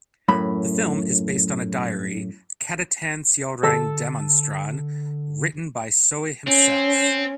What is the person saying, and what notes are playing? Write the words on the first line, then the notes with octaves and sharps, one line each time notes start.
The film is based on a diary "Catatan Seorang Demonstran" written by Soe himself.
F#2 A2 B5
D3 A4 E6
C4 C#4